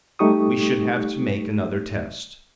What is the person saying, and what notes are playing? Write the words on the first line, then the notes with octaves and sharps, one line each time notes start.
We should have to make another test.
G3 A3 D#4 G4 C#6 D#6